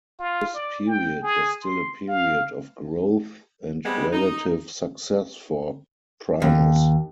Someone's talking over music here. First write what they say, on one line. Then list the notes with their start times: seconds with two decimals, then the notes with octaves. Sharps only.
This period was still a period of growth and relative success for Primus.
0.19 F4
0.54 D5
0.87 G5
1.23 G#4
1.62 C6
2.09 F5
3.85 G3 G#3 B3 C4
4.13 D#4
6.42 D#2